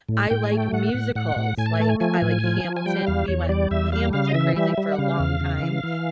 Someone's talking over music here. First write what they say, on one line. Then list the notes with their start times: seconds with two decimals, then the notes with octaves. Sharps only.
I like musicals, like, I like Hamilton. We went Hamilton-crazy for a long time.
0.09 A2
0.30 A2 G5
0.44 G#5
0.52 A3
0.57 G5
0.73 A2 F#5
0.94 A2
1.15 A2 F#5
1.37 A2
1.58 A2 G#5
1.66 A5
1.74 G#5
1.80 A3 A5
1.89 G#5
2.00 F3 G#5
2.22 A2
2.44 F3
2.65 F3
2.77 G#5
2.86 G3 G5
3.07 E2 F5
3.28 E2 C#5
3.49 G3 D5
3.71 E2 E5
3.92 G3 F5
4.13 C#3 F5
4.28 D#5
4.34 E3 E5
4.56 G3 E5
4.78 G3
4.92 F#5
4.98 C#3 F5
5.19 E2
5.41 C#3
5.63 E3
5.83 E3